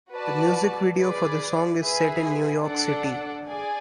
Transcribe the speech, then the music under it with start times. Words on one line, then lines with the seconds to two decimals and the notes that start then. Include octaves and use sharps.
The music video for the song is set in New York City.
0.12 F#4 B4 D5 A5
0.97 G#4 B4 D5
1.80 G#4 B4 E5 G#5
2.64 D4 A4 D5 F#5
3.48 G#4 D5 G#5